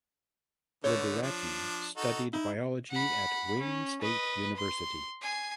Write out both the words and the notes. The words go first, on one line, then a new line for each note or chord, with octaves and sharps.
Liberati studied biology at Wayne State University.
D3 A3 B3 C#5
F3 D4
D#4 F#4 A4
D#4 E4
F#5 B5
C#4
B4 D#5
C6
G#5 C7